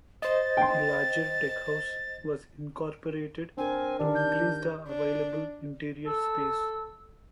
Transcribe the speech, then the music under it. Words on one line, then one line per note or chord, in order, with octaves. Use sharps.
A larger deckhouse was incorporated to increase the available interior space.
C5 D#5 A6
G5 C6
C4 D4 A#4 G#5
D#3 D4 G4 A#4
G6
D4
A4 E6